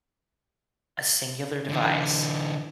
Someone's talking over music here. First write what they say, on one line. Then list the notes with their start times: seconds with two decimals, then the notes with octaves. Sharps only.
a singular device
1.70 D3 E3